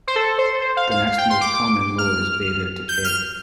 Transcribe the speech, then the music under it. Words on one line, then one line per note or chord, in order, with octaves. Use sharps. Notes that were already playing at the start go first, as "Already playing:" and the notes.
The next most common mode is beta decay.
C5
A4
C5
C5
F5
F5
F5
G5
C6
D6
F6
G6
F6